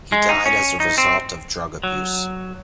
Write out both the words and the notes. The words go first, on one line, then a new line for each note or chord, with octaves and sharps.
He died as a result of drug abuse.
G#3
D#4
C#4
D#4
C4
F#3